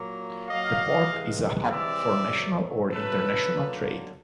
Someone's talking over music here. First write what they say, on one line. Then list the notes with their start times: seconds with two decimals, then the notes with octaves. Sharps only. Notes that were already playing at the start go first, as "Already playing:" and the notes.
The port is a hub for national or international trade.
Already playing: A#2 F#3 A#3
0.49 A#2 F#3 A#3 D#5 F5
1.10 C3 E3 G#3
1.70 C3 E3 G#3 D5 E5
2.31 B2 F#3 A3
2.91 C#3 F#3 A3 A4 B4
3.52 D3 F#3 A#3